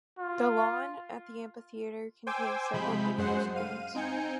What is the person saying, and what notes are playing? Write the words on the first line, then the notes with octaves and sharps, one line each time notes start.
The lawn at the amphitheater contains several video screens.
F4
C5 G5 G#5 D6 E6
C3 F3 G#3 B5 G6
F#2 G#3 C5 F#5 C7
F5 D#7
C4 D#4 G#5 G6 C#7